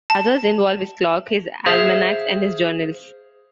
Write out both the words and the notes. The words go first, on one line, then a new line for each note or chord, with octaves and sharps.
Others involve his clock, his almanacs and his journals.
A5
G#4 C5 E5 F5